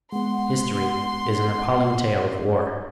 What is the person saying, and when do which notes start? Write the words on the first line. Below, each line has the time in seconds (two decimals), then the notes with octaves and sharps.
History is an appalling tale of war.
0.12 G#3 B3 F#5 C6